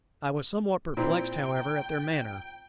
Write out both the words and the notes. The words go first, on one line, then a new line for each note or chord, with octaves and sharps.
I was somewhat perplexed, however, at their manner.
A#2 C4 E4 G5